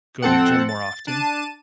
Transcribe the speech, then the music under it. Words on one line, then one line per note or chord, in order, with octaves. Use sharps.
go to the gym more often,
F2 C4 A4 F#5
A6
D4 A5 D#7